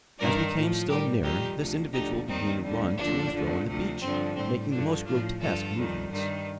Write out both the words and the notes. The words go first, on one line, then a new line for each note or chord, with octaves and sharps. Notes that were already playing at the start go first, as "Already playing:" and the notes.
As we came still nearer, this individual began to run to and fro on the beach, making the most grotesque movements.
G2 D#3 G3 A#4 D5
A2 F3
A2 G3 G4 A#4
F2 D#3 G3 D#4 G4
D2 C3 F3
D2 D3 F3 D#4 G4
D#2 D#3 G3 C4 D#4
D#2 D3 G3
D#2 D3 F3 D4
F2 D3 F3
D2 C3 F3
G2 D3 F3 C4
A2 G3 C4
G2 D3 F3 D4
A2 F3 D4 F4
G2 D3 F3 F4 A4
F2 D#3 G3
G2 D#3 G3